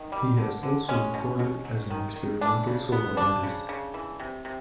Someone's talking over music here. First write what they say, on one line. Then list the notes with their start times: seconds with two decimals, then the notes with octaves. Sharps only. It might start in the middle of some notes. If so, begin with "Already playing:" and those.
He has also recorded as an experimental solo artist.
Already playing: D#3
0.12 G3
0.38 D3
0.63 D3
0.88 G#3 C#4
1.14 B2
1.39 B2
1.65 F#3
1.90 D#3
2.16 D#3
2.41 E3 D4
2.67 C#3
2.92 B3
3.17 F3 D4
3.43 C#3
3.69 C#3
3.94 E3
4.20 C3
4.45 C3